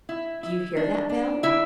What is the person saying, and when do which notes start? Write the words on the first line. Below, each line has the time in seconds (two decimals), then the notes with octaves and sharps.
Do you hear that, Bell?
0.09 E4
0.43 E4
0.76 D4
1.09 D4
1.43 D3 E4 E5